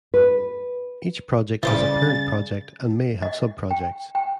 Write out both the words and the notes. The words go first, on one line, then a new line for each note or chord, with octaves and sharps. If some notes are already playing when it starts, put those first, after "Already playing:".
Each project has a parent project and may have sub projects.
B4
C#3 E3 G3 C5 D6 A6
D#5
G5
G5